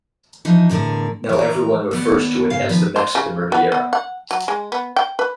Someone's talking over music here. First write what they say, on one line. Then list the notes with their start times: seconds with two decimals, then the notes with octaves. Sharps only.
Now everyone refers to it as the Mexican Riviera.
0.45 E3 F3 D#4
0.69 E2 A2 D3 A#4
1.29 E3 A#4
1.91 D#2 B3 D5
2.50 G#2 C#3 G#3 F5
2.69 D#3 F3 B4
2.96 C5
3.15 C#3
3.52 B3
3.72 B3
3.93 F#5
4.31 F#3
4.48 G#3
4.72 B3
4.96 G5
5.19 B4